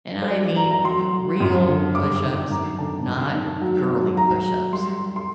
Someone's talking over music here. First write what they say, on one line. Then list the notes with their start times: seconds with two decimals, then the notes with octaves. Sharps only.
and I mean real push-ups, not girly push-ups
0.22 C5
0.29 F#3 D5
0.57 F#3 A#5
0.71 A#5
0.84 F#3 C6
1.12 F#3
1.40 F#2
1.68 D3
1.95 G2 D6
2.16 D6
2.23 D#3
2.50 F#2 A#5
2.79 D3 A5
3.06 F#2
3.34 D#3
3.62 F#3
3.89 F#3
4.17 F#3 A#5
4.45 F#3
4.73 G3 C6
5.00 G3
5.16 C6